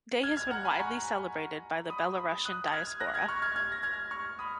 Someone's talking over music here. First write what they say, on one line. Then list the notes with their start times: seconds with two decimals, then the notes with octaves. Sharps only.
The day has been widely celebrated by the Belarusian diaspora.
0.23 F6 G#6
0.37 F6 G#6
0.51 F#5 A#5
0.65 G#5 B5
0.79 A#5 C#6
1.90 B5 D#6
2.17 B5 D#6
2.45 D#6 F#6
2.72 F6 G#6
3.00 F#6 A#6
3.14 F6 G#6
3.28 C#6 F6
3.42 F6 G#6
3.56 F6 G#6
3.72 A#6
3.83 F6 G#6
4.11 C#6 F6
4.39 B5 D#6